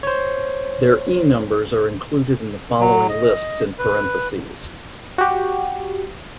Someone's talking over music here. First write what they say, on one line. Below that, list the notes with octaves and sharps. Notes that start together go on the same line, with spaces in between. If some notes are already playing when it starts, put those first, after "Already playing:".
Their E numbers are included in the following lists in parentheses.
C5 C#5
F#3
D#5
B4
F#4 G4